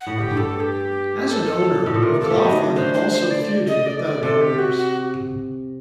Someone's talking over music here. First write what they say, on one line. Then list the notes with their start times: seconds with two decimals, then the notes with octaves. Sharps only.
As an owner, McLaughlin also feuded with other owners.
0.01 F#5
0.07 A2
0.19 G4
0.31 G2
0.37 A4
0.56 A4
0.60 G4
1.29 A4
1.86 A2
1.94 A#2
2.02 C3 A#4
2.20 A#3 A4
2.30 A3
2.37 G3 D#5
2.45 F#3
2.51 D#3
2.76 D3 C5
2.94 C5
3.12 C5
3.30 D5
3.67 D#5
3.86 D5
4.04 D5
4.23 C3 A4
4.41 G4
4.59 F#4
4.77 F#4